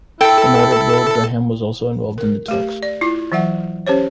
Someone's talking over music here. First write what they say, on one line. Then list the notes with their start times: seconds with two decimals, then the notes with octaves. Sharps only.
Promoter Bill Graham was also involved in the talks.
0.21 E4 A4 G5
2.18 A#4
2.48 A3 G4
2.83 D5
3.01 E4 F4 D6
3.32 E3 F#3 E5 F#5
3.87 C#4 G4 C5 C#5